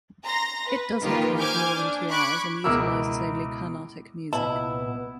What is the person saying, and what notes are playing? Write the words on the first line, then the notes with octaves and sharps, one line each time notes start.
It does not run to more than two hours and utilises only Carnatic music.
A#5 C6 A#6
B4
D#3 A#3 F4 G4 A#4 B4
C5 G#5 D6 F6 G6 G#6
D4
B5 C#6 D6 F#6 G#6
C#2 B2 E4 A#4 D6 E6
C2 A#2 B3 E4 D#5 A5